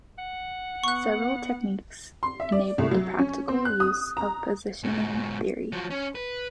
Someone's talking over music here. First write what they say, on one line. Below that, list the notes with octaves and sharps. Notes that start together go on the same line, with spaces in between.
Several techniques enabled the practical use of positioning theory.
F#5
B3 C#6 F#6
C6
E5
D5
C2
F#3
C#4
C4
F#6
D#6
A#5
G#2 B2
F3 F#3
C#4
B4